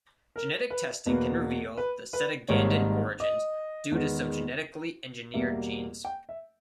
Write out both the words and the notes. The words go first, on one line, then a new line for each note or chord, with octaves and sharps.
Genetic testing can reveal the Cetagandan origins due to some genetically engineered genes.
A#4
B4
E2 B2 A#3 B4
B4
B4
G#1 G#2 D#3 G3 A#3 C#5
D#5
E2 D#3 G#3 B3
E2 B2 G3 A#3 E5
G5
E5